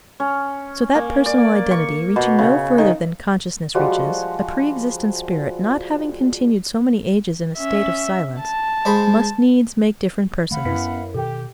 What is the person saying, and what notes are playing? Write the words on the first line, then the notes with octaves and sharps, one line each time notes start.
So that personal identity, reaching no further than consciousness reaches, a pre-existent spirit not having continued so many ages in a state of silence, must needs make different persons.
C#4
A#3
D5
C#6
B2
C#3
D#3
F3 G3 G#3 F#4
C#4 E5
A5
G#3 C5 B5
D#3 A3 F5 F#5 B5
F#2 B3 C#4 E4 B4 B6
B2 D#3 G4 A4 G5